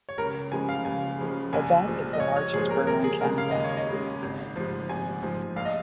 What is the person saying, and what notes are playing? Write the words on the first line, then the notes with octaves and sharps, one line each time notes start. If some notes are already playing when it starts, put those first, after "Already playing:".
Labatt is the largest brewer in Canada.
C#5
C#2 A#4
C#3 F3 G#3 G#5
F5
C#2 G#5
C#3 F3 G#3
A#1 G#5
A#2 F3 G#3
D#5
A#1 C#5
C#5
A#2 F3 G#3 G#4
A#4
D#2 A#4
G#4
C#3 G#3 A#4
F5
D#2 D#5
C#5
D#5
C#3 G#3
G#1
G#2 F3
G#1 G#5
G#2 F3
A#1 F5
D#5